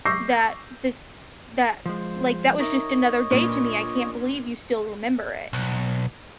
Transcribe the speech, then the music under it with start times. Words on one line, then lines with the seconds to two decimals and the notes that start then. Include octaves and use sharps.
that this that, like, that was just another day to me. I can't believe you still remember it,"
0.05 C#6 D6 E6 G6 A#6 C7
1.86 F3 G#3 C5
2.59 D#4 A#4 C#5 D#5 E5
3.31 A#2 D4 A#4 B4
5.53 B1